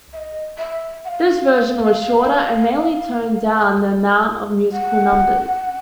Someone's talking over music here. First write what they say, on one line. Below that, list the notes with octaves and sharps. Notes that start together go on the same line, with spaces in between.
This version was shorter, and mainly toned down the amount of musical numbers.
E5
D#5
E5
F#5
F5
F#5